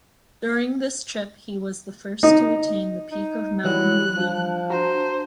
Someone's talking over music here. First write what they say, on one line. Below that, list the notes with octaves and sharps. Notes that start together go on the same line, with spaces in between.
During this trip he was the first to attain the peak of Mount Mulu.
D#4
D#4
E3 F#3 G3 E4 F#6
F3 D4
F#4 C5 A#5